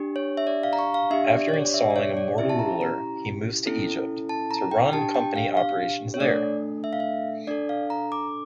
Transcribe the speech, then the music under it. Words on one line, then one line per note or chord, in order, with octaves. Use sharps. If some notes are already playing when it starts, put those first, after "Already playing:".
After installing a mortal ruler, he moves to Egypt, to run Company operations there.
Already playing: D4 G4
C#5
E5
D5
F5
A#5
C#6
F5
D4 G4 E5
D5
C#5
D5
E5
D5
C#5
D5
C#4 E4 G4 E5
A5
A#5
A#5
C#4 E4 A4
A5
A#5
G5
D4 G4 A5
G5
F5
F5
C#5
A3 D4 A4 D5
E5
F5
E5
D4 A4 D5
F5
A#5
D6